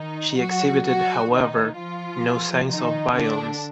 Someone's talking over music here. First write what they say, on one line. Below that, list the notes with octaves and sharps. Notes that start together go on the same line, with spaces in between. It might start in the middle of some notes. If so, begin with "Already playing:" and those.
She exhibited, however, no signs of violence.
Already playing: D#3 D#4
F#3 F#4
F#3 F#4
D#3 D#4
F3 F4
D#3 D#4
D3 D4